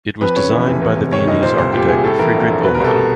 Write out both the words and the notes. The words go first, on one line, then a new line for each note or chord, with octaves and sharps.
It was designed by the Viennese architect Friedrich Ohmann.
F2 B4
C#3 C#5
E3
F1
E2
C3
D#3 C#5
F1 D#5
A#2 C5
C2 C5
A#2 G4
C2 G#4
A2 A4
E3 A#4
A#1
A#1
B2 B4
A#4
C2 A4
B2